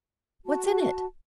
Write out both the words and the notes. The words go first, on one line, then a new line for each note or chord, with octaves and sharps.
"What's in it?"
F#4 A5